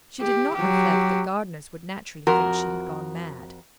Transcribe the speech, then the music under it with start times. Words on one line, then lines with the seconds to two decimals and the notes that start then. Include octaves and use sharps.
She did not reflect that gardeners would naturally think she had gone mad.
0.21 G4
0.55 F#3 G4
2.27 F2 F#4 A#4